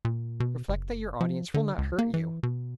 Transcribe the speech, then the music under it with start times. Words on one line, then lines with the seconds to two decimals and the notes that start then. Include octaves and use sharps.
Reflect that your audience will not hurt you.
0.05 A#2
0.40 B2
0.68 F#1
1.21 F3
1.54 D3
1.78 C#2
1.99 A#3
2.14 E3
2.43 B2